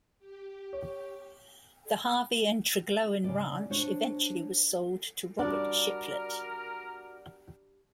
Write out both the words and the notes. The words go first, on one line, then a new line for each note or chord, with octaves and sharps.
The Harvey and Tregloan Ranch eventually was sold to Robert Shiplet.
G4
C#5
C#3 D5
D4 C5 C#5
G3 D4 F#4 A#4 D5